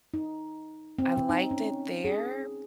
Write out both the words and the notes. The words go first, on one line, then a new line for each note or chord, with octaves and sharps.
I liked it there
D#4
C4
D#4
C#4
G#4